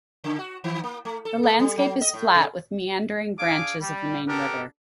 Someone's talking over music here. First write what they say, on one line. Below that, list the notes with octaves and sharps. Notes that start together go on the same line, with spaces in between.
The landscape is flat with meandering branches of the main river.
C#3
F#4
D#3
A#3
A3
A4
A#3
G3
F#3
D#5
A2
C3
D4 G#4 F5 G#5 D6
G3
B3 D4 G4 A4 A#4